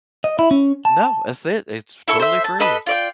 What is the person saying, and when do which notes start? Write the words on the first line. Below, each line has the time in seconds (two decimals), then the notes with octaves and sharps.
No, that's it, it's totally free,
0.24 D#5
0.39 E4
0.51 C#4
0.85 A5
2.08 E4 A4 C#6
2.20 C5 E5
2.44 A5
2.60 A4 B4 D#5 B5
2.86 F4 D5 G5